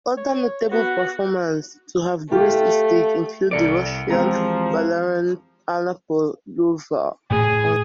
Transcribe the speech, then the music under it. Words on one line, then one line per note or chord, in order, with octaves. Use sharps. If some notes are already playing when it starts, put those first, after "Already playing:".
Other notable performers to have graced its stage include the Russian ballerina Anna Pavlova.
C#5
B3 F#4
A3 F4 G4
C2 A4 A#4 D5 C#7 D7
E2 F3 G#3 C4 G4 A#4 A#5
A2 A3 G#4